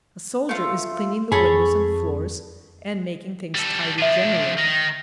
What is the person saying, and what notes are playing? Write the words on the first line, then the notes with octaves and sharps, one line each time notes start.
A soldier is cleaning the windows and floors, and making things tidy generally.
A3 F4
F2 G#4 A4 C#5 B5
G3 A4
F3 D4 E5 D#7
D#3 A#6